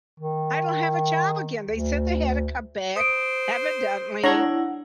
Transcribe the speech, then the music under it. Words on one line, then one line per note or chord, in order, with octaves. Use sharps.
I don't have a job again, they said they had to cut back, evidently,
D#3
D2
C5 D#6 D7
D4 E4 C#5 F#5 A#5